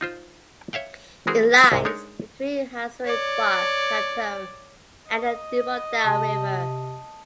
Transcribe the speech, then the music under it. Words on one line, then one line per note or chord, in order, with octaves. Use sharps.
It lies between Hazaribagh Plateau and the Damodar River.
D#4 F4 C5
C#5 E5 F5 G5
E3 G#3 C4 F#4 G#4 A#4
C2 G#2 C3
G#3 D4 D#4 A#4 C#5
C#5 D5
D#5
C3 A5